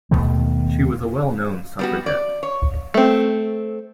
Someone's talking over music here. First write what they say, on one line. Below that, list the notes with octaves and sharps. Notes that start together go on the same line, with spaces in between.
She was a well-known suffragette.
D#2 B2 D#3 A3
G3 B3 F#4
D5
C#5
A3 C4